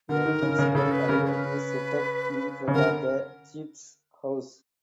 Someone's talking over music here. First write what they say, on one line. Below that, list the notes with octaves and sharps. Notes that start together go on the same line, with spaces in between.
The principal idol is set up in front of the chief's house.
D3 A#4
D#3
C#3
C#3
C#3 A4
B4
C#3 A#4
C#5
B4
C#3
D3 A#4